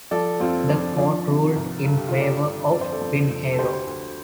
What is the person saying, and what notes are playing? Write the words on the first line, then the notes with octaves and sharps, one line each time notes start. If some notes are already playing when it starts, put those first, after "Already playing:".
The court ruled in favor of Pinheiro.
F3 A4 D5
F2 C4 F4
F3 D4
F3 D4
C3
C2
G2 A4
G4
F4
D3
D4 G4
G2
F2 D5
C5
A4 D5
F2
F2
A4
D2 G4 C5
D2